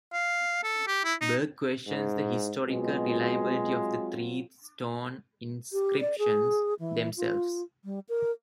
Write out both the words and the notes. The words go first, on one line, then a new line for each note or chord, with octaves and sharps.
Berg questions the historical reliability of the three stone inscriptions themselves.
F5
A4
G4
E4
D#4
G#2
B2 F#3 G#3 C4 F4
G4
D5
G#4
E3
F4
G3
A#4